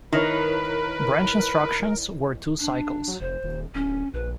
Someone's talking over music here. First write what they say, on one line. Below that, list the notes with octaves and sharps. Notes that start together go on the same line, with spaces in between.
Branch instructions were two cycles.
D#3 E4 A#4 B4 C#5
D4
F#3
F1 C5
D#1
D1 C#4
A#1 B4